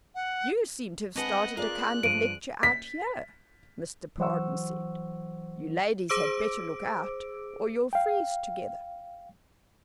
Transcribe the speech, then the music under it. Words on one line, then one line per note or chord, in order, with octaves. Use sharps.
"You seem to have started a kind of lecture out here," Mr. Pardon said. "You ladies had better look out, or you'll freeze together!"
F#5
G#3 C4 D4 B4 D#5 F#5 G#5
F4 G#4 A#4 D5 F5 G#5 F#6
G2 F3 D7 D#7
B6
E3 F#3 C5 F#5 C#6 E6
G#4 C5 D6 E6 D7
F5 G5